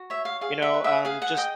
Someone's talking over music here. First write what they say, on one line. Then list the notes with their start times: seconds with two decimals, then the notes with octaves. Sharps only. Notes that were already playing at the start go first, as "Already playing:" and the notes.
you know, um, just
Already playing: F#4
0.10 C#5 E5
0.25 F5
0.41 G#4 F5
0.62 E5
0.74 B4
0.84 E5
1.05 G#4 F5
1.22 F#5
1.37 D#5 G5